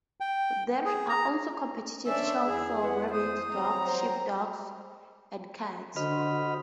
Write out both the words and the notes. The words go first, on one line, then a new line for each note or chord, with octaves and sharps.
There are also competitive shows for rabbits, dogs, sheepdogs, and cats.
G5
G#4
A#5
C#4 D4 C5 D5 E5
E2 G#4
B4 F#5
C5 D#6
F#3 C4 A#5
C5
D3 F#4 C5 D#5 B5 F6